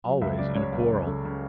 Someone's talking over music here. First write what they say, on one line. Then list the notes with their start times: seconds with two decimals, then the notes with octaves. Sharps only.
Always in a quarrel.
0.04 F#3
0.21 C#2 E5
0.38 C#3 D5
0.56 C#3 C#5
0.73 C#2
0.90 C#3
1.07 C#3 A4
1.25 C#3